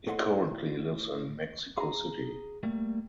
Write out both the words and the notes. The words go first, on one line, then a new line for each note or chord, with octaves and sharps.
He currently lives in the Mexico City.
A2 A4 D#5 F#5 C6
G#4 A#5
G3 A3 A#3